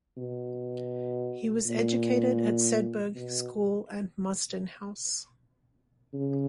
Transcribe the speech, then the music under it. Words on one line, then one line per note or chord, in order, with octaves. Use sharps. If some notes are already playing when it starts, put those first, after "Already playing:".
He was educated at Sedbergh School and Mostyn House.
B2
A#2
B2
C#3